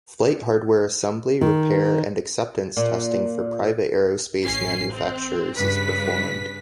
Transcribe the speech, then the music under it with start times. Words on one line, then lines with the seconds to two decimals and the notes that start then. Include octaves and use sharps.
Flight hardware assembly, repair, and acceptance testing for private aerospace manufacturers is performed.
1.41 D#3
2.77 A#2
4.44 A1 C#4 C7
4.93 C4
5.57 G2 C#3 B4 B6